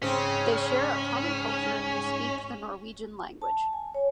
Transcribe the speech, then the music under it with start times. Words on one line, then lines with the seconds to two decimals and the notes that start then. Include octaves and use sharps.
They share a common culture and speak the Norwegian language.
0.03 G#2 C#3 C4 C#4
3.42 A5
3.73 G#5
3.94 C#5